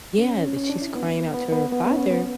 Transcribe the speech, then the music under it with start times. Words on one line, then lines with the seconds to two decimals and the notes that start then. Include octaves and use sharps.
yeah, that she's crying out to her father
0.18 C#4
0.38 C#4
0.57 C#4
0.70 D4
0.82 E4
0.95 B3
1.34 B3
1.52 B3
1.72 B3
1.86 B3
1.91 C#4
2.11 B3